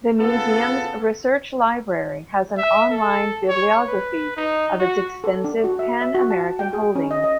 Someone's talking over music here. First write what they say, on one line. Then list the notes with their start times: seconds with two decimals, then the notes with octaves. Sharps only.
The Museum's Research Library has an online bibliography of its extensive Pan-American holdings.
0.19 C#3 B3 F4 A4
2.58 E5
2.91 A4
3.49 C#5
3.87 B4
4.37 D#4
4.79 F#4
5.24 A4
5.44 D4
5.64 F#4
5.79 E5
6.01 E5
6.15 F#4
6.31 A5
6.59 G5
6.73 G#4
6.95 C#4
7.11 D#5
7.24 D#5